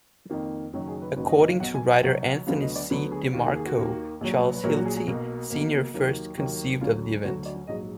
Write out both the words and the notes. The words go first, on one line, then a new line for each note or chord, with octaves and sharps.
According to writer Anthony C. DiMarco, Charles Hilty, Senior first conceived of the event.
F2 D#3 A#3
F#1 F#2 D#3 F#3
G#4
B4
F#1 F#2 D#3 F#3 B4
D#5
D#5
F5
B1 B2 F#3 F#5
G#5
G#5
B1 B2 F#3 F#5
F#5
D2 D3 F#3 B3 F5
D#5
D5
D2 D3 F#3 B3 B4
G#4
D#2 D#3 A#3 F4
F#4
G#4
F#4
D#2 D#3 A#3
A#1 A#2 F#3
B4
A#1 A#2 F#3 A#4
F#4
G#4
G#4
B1 B2 A#3 F#4
B1 B2 A#3
D#2 D#3 F#3 A#3
D#2 D#3 F#3 A#3
D2 D3 F#3 F4
D2 D3 F#3 F#4
D5
A#1 G#2 F#3 D#5